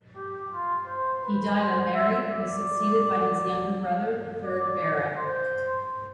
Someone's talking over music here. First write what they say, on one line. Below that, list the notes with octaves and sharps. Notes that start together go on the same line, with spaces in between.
He died unmarried and was succeeded by his younger brother, the third Baron.
G4
F4
C5
B4
C5
E5
D5
D5
C5